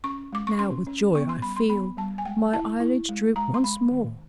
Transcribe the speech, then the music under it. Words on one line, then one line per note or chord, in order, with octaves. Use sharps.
Now with joy I feel My eyelids droop once more.
C#4 C#6
G#3 D6
C#6
C#4 C6
C#4
B3 C#6
C6
G3 B5
C6
B3 B5
G3 A5
G#5
G#3 G5
E4 A5
E4
G#3
G#3 A#5
C6
G#3 B5
D#3